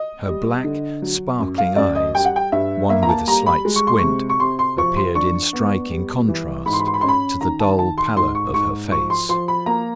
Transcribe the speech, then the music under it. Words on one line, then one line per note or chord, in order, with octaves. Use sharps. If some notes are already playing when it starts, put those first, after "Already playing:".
Her black, sparkling eyes, one with a slight squint, appeared in striking contrast to the dull pallor of her face.
Already playing: D#5
G3
D3
F#3
F#2
F5
F#2 D5
D#5
G3 G5
F#5
G5
G2 E5
A#3 E5
A#5
A5
G3 A#5
B5
G#3
C#6
C6
C3 C#6
C#6
C3 C6
C6
F3 C#6
C6
D4 C#6
B3
G3
E3
G#2 B5
C6
B5
C6
B5
C#4 C6
B5
D#3 A#5
A5
D#3 A5
C6
G#2 C6
C#6
G#2 C#6
F3 C#6
C6
F3 C6
B5
A#3 A#5